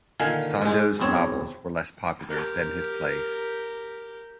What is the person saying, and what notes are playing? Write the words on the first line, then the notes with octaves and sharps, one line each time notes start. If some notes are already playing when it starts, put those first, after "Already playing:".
Sandeau's novels were less popular than his plays.
A#2 D3 D#3 F5 G#5
G#2 G#3
B1 E2 C4 C#5
G4 A#4